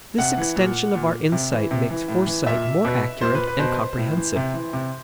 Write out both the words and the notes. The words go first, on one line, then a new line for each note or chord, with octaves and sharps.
This extension of our insight makes foresight more accurate and comprehensive.
C3 F#5
E3
A#2
A#2
C3
E3
C3
E3
A2
E3
A#2 E5
B2
A#2 C5
B4
B4
B2 C5
A2
E3
C3
E3
C3